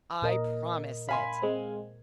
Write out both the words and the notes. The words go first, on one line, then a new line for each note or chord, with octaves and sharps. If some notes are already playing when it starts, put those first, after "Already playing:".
"I promise it."
A#2 A#4 D#5
F5 G#5 B5 C6
G#3 C4